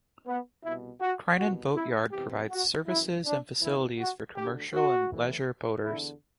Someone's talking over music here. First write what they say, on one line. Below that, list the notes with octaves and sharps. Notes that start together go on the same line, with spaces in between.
Crinan Boatyard provides services and facilities for commercial and leisure boaters.
B3
C2 B2 E4
F#4
C2 B2 F#4
E4
E2 C3 E3 G4
F#4
F#2 E3 E4
D4
E2 C3 E3 E4
F#4
D2 D3 G4
F#4
B1 A2 E3
E2 D3 E4